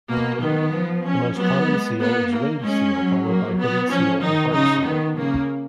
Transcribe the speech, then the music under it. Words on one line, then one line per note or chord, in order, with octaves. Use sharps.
The most common seal is ringed seal, followed by hooded seal and harp seal.
B2 A#3
D#3 B3
F3
C#4
F#3 B3
G#3
A#3 B3
A#3
G#3 C#4
F#3
A#3
B3
F3 C#4
D#3 D#4
C#3 D#4
D#3 B3
C#3 A#3